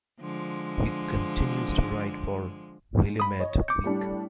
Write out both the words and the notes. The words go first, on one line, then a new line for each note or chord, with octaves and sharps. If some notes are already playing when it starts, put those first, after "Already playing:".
He continues to write for "Willamette Week".
D3 F3 G#3
G#2
B5 D#6
C#5 D#5
D6 G6 C#7
A2 G3 D4